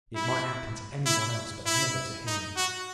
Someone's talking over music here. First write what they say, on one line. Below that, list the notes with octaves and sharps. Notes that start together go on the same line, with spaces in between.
It might happen to any one else, but never to him!
E4
E4
E4
D#4
F#4